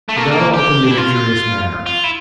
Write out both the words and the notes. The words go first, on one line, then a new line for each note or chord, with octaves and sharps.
The battle opened in a curious manner.
A3
A#3
A3
A#3
G4
D4
E4
F4
F4
E4